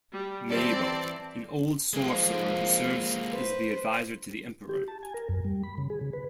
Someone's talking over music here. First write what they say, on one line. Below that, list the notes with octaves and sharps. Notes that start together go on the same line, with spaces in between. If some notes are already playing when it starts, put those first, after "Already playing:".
Mabo - An old sorcerer who serves as the advisor to the emperor.
G3
E3 C4 D5 A5
F3 G#3 A#3
B4 C5
G4
A5
G#5
A#4
F#2
G3
B5
C#3
G#4
C#3
B4